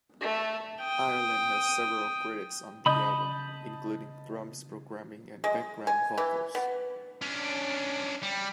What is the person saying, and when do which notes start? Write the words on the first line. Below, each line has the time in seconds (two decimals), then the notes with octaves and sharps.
Ireland has several credits on the album, including drums, programming, and background vocals.
0.21 A3
0.81 G5 D#6
2.86 C#3 D#5 A5 B5 D#6 G6
5.44 G#3
5.87 G#5
6.18 E3
6.55 B3
7.22 C#4 D4
8.23 G3